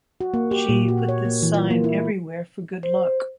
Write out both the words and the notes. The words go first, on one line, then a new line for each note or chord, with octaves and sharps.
She put this sign everywhere for good luck.
F#4
A#3
G4
A#2
F#4
C#5
A#3
E3
F4
A#3
E4
C5